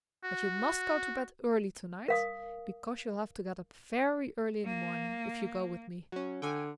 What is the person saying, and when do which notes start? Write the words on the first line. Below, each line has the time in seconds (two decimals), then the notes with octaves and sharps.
But you must go to bed early to-night, because you'll have to get up very early in the morning, if you go with me!
0.24 F#4
2.08 A#4 F5 D#6
4.66 A#3
6.12 F#3 C#4
6.42 D3 G5 G#5